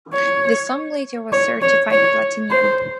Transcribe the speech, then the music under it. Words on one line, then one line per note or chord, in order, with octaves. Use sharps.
The song later was certified platinum.
C#5
C#5
C#5
C#5
C5